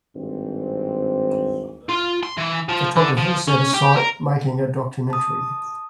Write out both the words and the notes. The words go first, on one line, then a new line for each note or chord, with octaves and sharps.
Photographers at a site making a documentary.
G#1 G2 C4
F4
C6
E3
F3
D3
F3
C#4
G4
A#4
A5 D#6